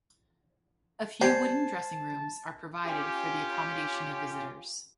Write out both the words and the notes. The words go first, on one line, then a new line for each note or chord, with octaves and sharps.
A few wooden dressing-rooms are provided for the accommodation of visitors.
G3 C5 G#5 A5
C#4 F4 G4